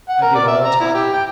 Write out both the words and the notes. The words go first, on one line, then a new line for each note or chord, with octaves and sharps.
I did all the talking.
F#5
A#4
D5
E5
A#5
E4
G4
G5